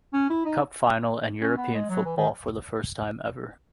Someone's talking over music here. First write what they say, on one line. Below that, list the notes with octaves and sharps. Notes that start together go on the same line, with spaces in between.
Cup final and European football for the first time ever.
C#4
E4
D#4
C#4
B3
G#3
F#3
E3
D#3